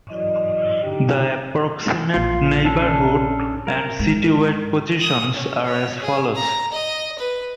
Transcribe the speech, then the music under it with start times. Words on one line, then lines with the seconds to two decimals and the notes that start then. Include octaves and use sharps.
The approximate neighborhood and citywide positions are as follows.
0.10 E3 F#3 C#4 D5 D#5
0.83 D3 D#4 G4
2.14 A#1 A#2 F4
2.65 C#4 D4 A4
3.67 A#4
3.99 G#2
5.01 D#6
5.33 C#4
5.65 C#5
6.02 G#4
6.35 A#5
6.72 D#5
7.18 B4